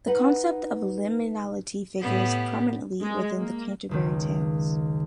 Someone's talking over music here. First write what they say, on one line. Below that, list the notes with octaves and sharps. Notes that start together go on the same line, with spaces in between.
The concept of liminality figures prominently within "The Canterbury Tales".
D#4 B4 F#5
A2 B3 G4
G#3
A#3
F#1 C#2 D#3